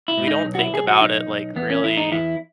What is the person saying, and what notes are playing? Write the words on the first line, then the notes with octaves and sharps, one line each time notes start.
we don't think about it, like, really
E4
G#2
D#4
B1
F#4
E4
B1 G#4
F#4
B1 D#4
B1
E2 B3
C#4
E2 E4
D#4
E2 E4